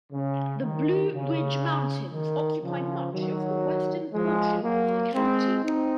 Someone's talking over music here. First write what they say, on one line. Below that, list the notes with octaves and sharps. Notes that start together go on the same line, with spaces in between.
The Blue Ridge Mountains occupy much of the western portion of the county.
C#3
D#3
C#3
D#3
C#3 F3
D#3 F#3
F3 G#3
F#3 A#3
G#3 C4
C4 D#4